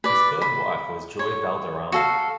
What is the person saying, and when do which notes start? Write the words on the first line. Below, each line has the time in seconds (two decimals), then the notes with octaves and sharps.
His third wife was Joy Valderrama.
0.04 B4 D5
0.42 B5
1.19 C#5
1.92 F#4 A4 F5